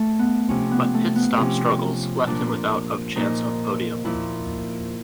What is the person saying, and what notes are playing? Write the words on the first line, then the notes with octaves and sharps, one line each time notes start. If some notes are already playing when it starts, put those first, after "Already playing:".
But pit stop struggles left him without of chance of podium.
Already playing: A3
B3
C3 F3 C#4
B3
A3
B3
C3 F3 C#4
A#2 F3 D4
A#2 F3 D#4
A#2 F3 E4